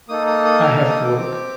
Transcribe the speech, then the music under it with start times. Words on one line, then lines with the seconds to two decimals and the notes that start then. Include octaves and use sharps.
I have to work.
0.08 A#3 D#4 A4 D#6
0.27 D#6
0.45 D#6
0.63 F6
0.76 F6
0.89 D#6
1.03 D6
1.16 C4 G4